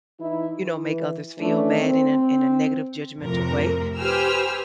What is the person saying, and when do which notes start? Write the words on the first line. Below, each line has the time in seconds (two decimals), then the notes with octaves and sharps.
you know, make others feel bad in a in a negative judgmental way.
0.20 E3 D#4 E4
0.62 E3
1.38 E3 A3 C#4 D4
1.79 C4
3.19 F2 A2 C3 A#4
3.98 G4 B4 C5 G#5 E6 F6